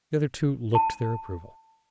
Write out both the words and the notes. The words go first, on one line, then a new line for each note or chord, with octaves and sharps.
The other two looked their approval.
A5